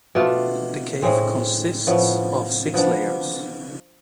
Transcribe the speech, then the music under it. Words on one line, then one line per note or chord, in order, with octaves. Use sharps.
The cave consists of six layers.
B2 A3 D4 F4
A2 G#3 C4
A2 F3 B3
F3 B3 D4